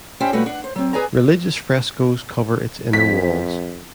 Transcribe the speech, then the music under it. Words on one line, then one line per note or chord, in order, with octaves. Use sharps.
Religious frescoes cover its inner walls.
C#4 E4 G4 C5 D5 G5
A#2 G3 A3 F#4 B4
D4 F#5
C5
F#3 C4
G#4 B4 D5 G#5 A#5
F2 B6